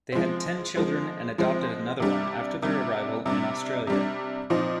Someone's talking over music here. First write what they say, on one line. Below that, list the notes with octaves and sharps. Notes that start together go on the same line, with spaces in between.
They had ten children and adopted another one after their arrival in Australia.
F3 G#3 C4
F3 G#3 C4
F3 G#3 C4
C3 G3 D4
C3 G3 D4
C3 G3 D4
C3 G3 D4
A#2 F3 C4 D#4